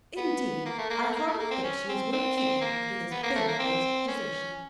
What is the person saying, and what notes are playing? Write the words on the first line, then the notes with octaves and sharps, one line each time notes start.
"Indeed I hardly think she is worth keeping after this barefaced desertion."
B3
A#3
A3
A#3
A3
A#3
A3
A#3
C4
C#4
C4
C4
C4
A#3
B3
A#3
A3
A#3
C4
C#4